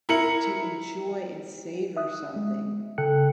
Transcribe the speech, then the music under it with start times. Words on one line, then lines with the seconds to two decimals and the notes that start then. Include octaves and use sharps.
to enjoy and savor something,
0.09 E4 A#4 C#7 F#7
1.97 E5 D#6 F#6
2.36 G#3
2.98 C#3 A4 G5 F#6 C#7